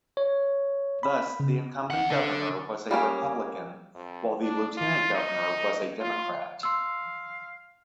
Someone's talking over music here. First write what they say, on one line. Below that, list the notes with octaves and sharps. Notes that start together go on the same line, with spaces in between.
Thus the incumbent governor was a Republican while the lieutenant governor was a Democrat.
C#5
B5
C#3
E2 F#5
D3
G3 A#3 C#4 G#4
F2
D4
F4
D#4
F4
F5 C6 E6